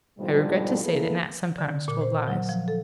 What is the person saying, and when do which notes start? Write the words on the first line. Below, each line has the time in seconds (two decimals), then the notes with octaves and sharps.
I regret to say that Nat sometimes told lies.
0.19 G#2 B2 D3 F3 G3
0.83 A#3 B3 E4 G#4 A4 B4
1.58 D3
1.88 A#2
2.01 C5
2.28 F#3
2.49 F3
2.68 A4